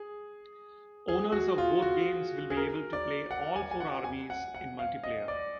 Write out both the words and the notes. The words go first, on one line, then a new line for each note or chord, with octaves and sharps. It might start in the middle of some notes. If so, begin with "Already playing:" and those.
Owners of both games will be able to play all four armies in multiplayer.
Already playing: G#4
G#4
F#4
F4
F#4
G#4
A#4
D5
F#5
G#5
G#5
F#5
G#5
F#5
F#5
F5
D#5
D5